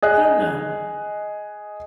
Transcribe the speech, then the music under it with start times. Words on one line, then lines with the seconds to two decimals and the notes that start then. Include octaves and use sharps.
I don't know.
0.02 G#4 D#5 F#6